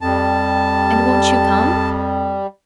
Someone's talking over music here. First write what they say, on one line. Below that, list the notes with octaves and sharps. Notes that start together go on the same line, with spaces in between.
'And won't you come?'
F2 G3 A5